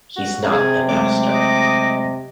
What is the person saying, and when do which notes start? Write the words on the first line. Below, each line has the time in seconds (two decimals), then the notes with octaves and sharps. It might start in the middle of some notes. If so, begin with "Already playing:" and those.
He’s not the master.
0.16 F#4
0.51 C3 G#4
0.89 F#3 G#3 A3 D6
1.30 D#5